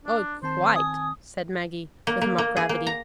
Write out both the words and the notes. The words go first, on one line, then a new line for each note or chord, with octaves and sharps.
"Oh, quite," said Maggie, with mock gravity.
D4
D#3 C4 C5 A5
G#5 D#6
A#3
A#3
A#3
G#4
A#3
A#5